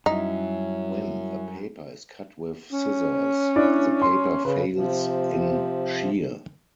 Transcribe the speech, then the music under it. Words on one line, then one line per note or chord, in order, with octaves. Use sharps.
When a paper is cut with scissors, the paper fails in shear.
F#2 G3 D#4 E4 E5
C#4
D4 E4 D5
C6
C#3 B4
C3 F3